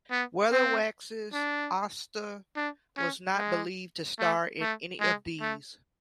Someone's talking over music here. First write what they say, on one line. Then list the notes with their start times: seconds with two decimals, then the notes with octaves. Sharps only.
Weatherwax's Asta was not believed to star in any of these.
0.11 B3
0.51 C4
1.33 D4
2.56 D4
2.97 C#4
3.37 G#3
4.19 A3
4.60 A3
5.00 G#3
5.41 A3